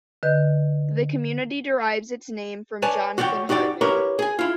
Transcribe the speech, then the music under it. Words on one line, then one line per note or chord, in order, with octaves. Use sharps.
The community derives its name from Jonathan Hartman.
D3 B4 D#5 G6
B4 C#5 D5 G#5 A5
F#4 C#5 D5 F#5 G5
D#4 F#4 G4 B4 D5
E4 G4 A#4 B4 C#5
G#4 G#5
E4 F4